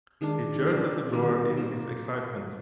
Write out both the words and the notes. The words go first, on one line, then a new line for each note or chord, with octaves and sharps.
He jerked at the drawer in his excitement.
D#3 G#3 D4
C4 D#4 G#4 D5
D#3 G3 A#3
A#3 F4 C5